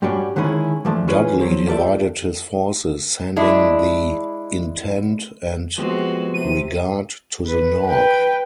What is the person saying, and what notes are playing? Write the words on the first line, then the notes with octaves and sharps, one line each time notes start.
Dudley divided his forces, sending the "Intent" and "Regard" to the north.
G2 G3 C#4 D4 F#4 G4
D3 D#3 G#3 C#4 E4 G#4
E3 F3 A3 D4
E3 C#4 F4 G#4 B4
F3 F#3
F4 G4 A4 B4 D5 E5
G#3 D4 E4
F3 G#3 B3 C4 F#4 G4
C3 D#7
B4
B4 G5